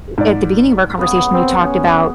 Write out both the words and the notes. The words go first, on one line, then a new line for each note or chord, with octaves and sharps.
at the beginning of our conversation, you talked about,
G#2 D5
C#3 B3 G#4
C4
C#4 F#5